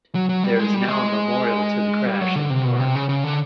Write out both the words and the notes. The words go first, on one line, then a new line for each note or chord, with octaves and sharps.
There is now a memorial to the crash in the park.
F#3
F#3
G3
G#3
G3
G#3
G3
F#3
D3
C3
B2
C3
C#3
C#3
D3